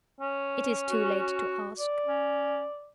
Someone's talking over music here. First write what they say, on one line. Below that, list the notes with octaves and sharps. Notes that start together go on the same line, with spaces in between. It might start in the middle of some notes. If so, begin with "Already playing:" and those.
It is too late to ask.
C#4
F#4
D5
C#4